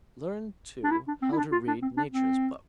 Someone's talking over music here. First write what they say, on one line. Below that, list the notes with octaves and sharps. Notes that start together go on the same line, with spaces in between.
Learn, too, how to read Nature's book.
D4
E4
D4
C4
E4
D4
F4
D4
C4
D4
C4